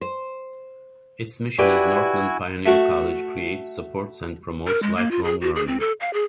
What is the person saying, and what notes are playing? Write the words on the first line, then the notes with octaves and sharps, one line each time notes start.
Its mission is Northland Pioneer College creates, supports and promotes lifelong learning.
C5
E4 F#4 G4 B4 D5 G#5
A3 F#4
A#4
G#3
A#3
F4
G#4
F#4
G#4
C4
A4
F5
G#4